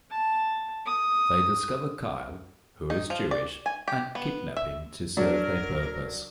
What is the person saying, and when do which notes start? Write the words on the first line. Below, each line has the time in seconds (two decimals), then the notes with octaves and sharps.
They discover Kyle, who is Jewish, and kidnap him to serve their purpose.
0.11 A5
0.86 D#6
2.90 D#4
3.10 F3
3.31 D5
3.66 G#5
3.88 G4
4.15 B3
4.57 E5
5.17 F#3 D4 A#4